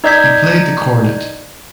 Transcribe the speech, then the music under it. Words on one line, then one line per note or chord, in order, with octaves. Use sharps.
He played the cornet.
D#4 D5 D#5 G6 G#6 B6